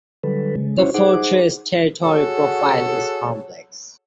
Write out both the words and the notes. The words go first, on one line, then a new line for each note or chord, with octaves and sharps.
The fortress’ territory profile is complex.
D3 F#3 G3 A4 B4
C#3 G#3
C#4 E4 F#4 C5 C#5
D#4 G#4 C5 F#5 D6
F#4 G#4 A4 C#5 F#5